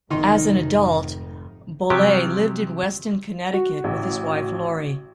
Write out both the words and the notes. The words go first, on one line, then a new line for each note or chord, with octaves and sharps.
As an adult, Bolle lived in Weston, Connecticut, with his wife, Lori.
F1 G#2 D#3 D#4 C6
C3 F3 F#3 G4
F#4
A1